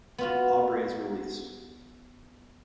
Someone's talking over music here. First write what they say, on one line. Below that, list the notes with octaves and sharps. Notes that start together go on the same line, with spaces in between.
Aubrey is released.
B3 F4 F#4